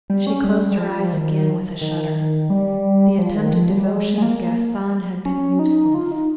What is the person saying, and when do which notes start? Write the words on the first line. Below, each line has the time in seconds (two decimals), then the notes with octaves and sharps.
She closed her eyes again with a shudder. The attempted devotion of Gaston had been useless.
0.10 G3
0.27 C#4
0.44 G3
0.71 G3
0.78 F3
1.13 D#3
1.81 D#3
2.50 G3
3.18 F3
3.36 D#3
3.53 F3
3.71 G3
3.87 G#3
4.18 G#3
4.22 A#3
5.25 C#4
5.59 D#4
5.94 F4
6.11 D#4